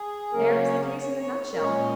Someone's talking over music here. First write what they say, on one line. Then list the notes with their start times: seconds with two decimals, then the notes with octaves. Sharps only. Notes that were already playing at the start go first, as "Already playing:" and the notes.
There is the case in a nutshell.
Already playing: G#4
0.33 C#3 F#3 A#3 C#4 A#4
0.49 C#5
0.64 C#5
0.80 G#4
0.96 C#5
1.17 C#5
1.54 A#4
1.58 A#2 G#3 C#4 C#5
1.80 D#5